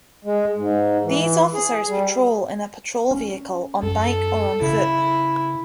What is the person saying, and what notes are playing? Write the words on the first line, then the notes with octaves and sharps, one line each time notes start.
These officers patrol in a patrol vehicle, on bike, or on foot.
G#3
G#2
E3
G#4
G3
C#4
F#2 A4
C#3 E4